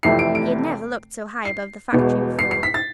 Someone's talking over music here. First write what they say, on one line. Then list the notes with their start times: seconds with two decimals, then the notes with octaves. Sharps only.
He had never looked so high above the factory before.
0.03 F1 F2 C3 E3 A3 C7
0.19 D7
0.35 D7
1.45 C7
1.92 E1 E2 B2 G#3 B3
2.39 C7
2.51 C7
2.63 B6
2.74 A6